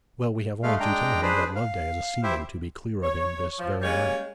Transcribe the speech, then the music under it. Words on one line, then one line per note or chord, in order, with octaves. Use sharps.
'Well, we have only to tell him that Loveday is a seaman to be clear of him this very night.'
G#3 A3 F5
G#3 D4 G5 A#5
D4 G#4 B4 C5
F5
E4 G4 C5 E5
C#5
F3
G3 G#3 A#3 C#4 C#5